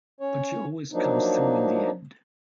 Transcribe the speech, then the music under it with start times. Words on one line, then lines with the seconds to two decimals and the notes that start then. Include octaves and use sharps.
But she always comes through in the end.
0.21 C#4 C#5
0.93 F3 F#3 A#3 D4 D#4